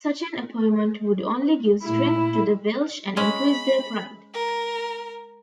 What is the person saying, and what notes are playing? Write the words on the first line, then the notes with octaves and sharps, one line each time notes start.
Such an appointment would only give strength to the Welsh and increase their pride.
A#2 A3 E4
G#3 C#4 B5
A#4